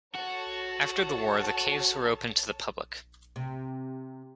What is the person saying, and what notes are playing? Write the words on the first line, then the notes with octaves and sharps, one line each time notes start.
After the war the caves were opened to the public.
F#4 A4 C#5 A5
C3